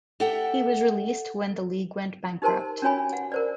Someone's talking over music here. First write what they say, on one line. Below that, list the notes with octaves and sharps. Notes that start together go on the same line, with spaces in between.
He was released when the league went bankrupt.
G4 A4 E5 F#5 G5
D#4 G4 A#4 C5 A5 C6
C#4 D4 F#4 C#5 G#5 B5
F#5
A#4 C5 D5